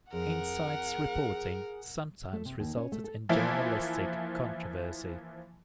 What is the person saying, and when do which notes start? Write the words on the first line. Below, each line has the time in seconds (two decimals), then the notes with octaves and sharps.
"Insight's" reporting sometimes resulted in journalistic controversy.
0.12 F2 G#4 A#4 F#5
2.33 A3
2.45 C3
2.60 D#2
2.76 C#4
2.92 A3
3.04 A4
3.29 E3 F3 A#3 E4